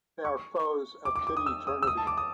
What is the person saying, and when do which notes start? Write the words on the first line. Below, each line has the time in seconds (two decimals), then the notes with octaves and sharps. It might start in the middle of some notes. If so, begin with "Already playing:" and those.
They are foes of Kid Eternity.
0.25 C#6
1.05 D6
1.16 D6
1.27 D6
1.37 D#6
1.46 E6
1.67 D#6
1.83 E6
1.87 D#6
1.97 A5
2.07 D6
2.17 D#6